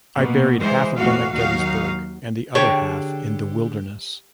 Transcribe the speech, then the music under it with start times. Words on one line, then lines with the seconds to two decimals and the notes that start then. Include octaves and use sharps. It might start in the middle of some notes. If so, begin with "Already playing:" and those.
I buried half of them at Gettysburg and the other half in the Wilderness.
0.16 B2 A#3
0.59 E3 G#3 C5
0.96 F2 A2 E3 F#4 F5
1.32 D#2 F#3 D#4 F#4 F5
2.55 D3 G4 G#4 C#5 A5